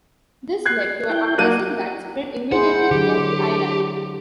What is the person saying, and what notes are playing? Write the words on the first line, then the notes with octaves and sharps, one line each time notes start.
This led to an uprising that spread immediately throughout the island.
F#6 G#6 C7
E4 G5
F#3 A#3 A#4 F#5 D#7
E4 G#4 C5 F#5
D3 F#3 G4